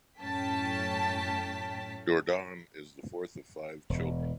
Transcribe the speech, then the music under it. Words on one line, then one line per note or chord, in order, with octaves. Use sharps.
Dourdan is the fourth of five children.
F#2 A2 C#4 G5 A5 B6
E1